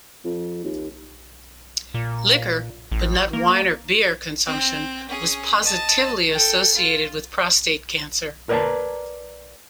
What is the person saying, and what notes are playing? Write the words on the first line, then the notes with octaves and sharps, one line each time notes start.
Liquor, but not wine or beer, consumption was positively associated with prostate cancer.
F2
D#2
A#2
A1
A#3
C4
C#4 G#4
D#5 A5
A4 G5
F4
A#4 B4 D5 D#5 A5 A#5